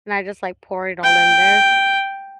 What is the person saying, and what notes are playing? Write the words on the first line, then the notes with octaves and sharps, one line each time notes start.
and I just, like, pour it all in there,
G5